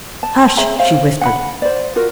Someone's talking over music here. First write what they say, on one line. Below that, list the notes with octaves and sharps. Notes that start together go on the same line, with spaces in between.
"Hush!" she whispered.
A5
G#4 C#5 E5 A#5
C5 C#5 E5 F5
F#5 B5
C5 D5
F4 F#4 A#4